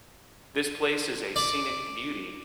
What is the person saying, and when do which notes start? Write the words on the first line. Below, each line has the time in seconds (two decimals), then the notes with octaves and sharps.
This place is a scenic beauty.
1.36 D5